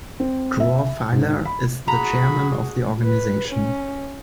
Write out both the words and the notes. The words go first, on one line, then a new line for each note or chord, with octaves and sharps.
Dror Feiler is the chairman of the organization.
C4
E5
G#2
B5
F#4 G#4 A#5 B5
B4
C#4